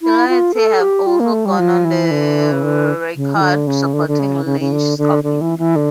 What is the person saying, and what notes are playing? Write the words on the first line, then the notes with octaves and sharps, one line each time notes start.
Deloitte have also gone on the record supporting Lynch's opinion.
E4
F4
A4
G4
F4
A#3
A3
G3
F3
E3
D3
C#3
D3
C#3
E3
D3
C#3
D3
D3
C#3
C#3
C#3
D3
D3
D3
E3
E3
D3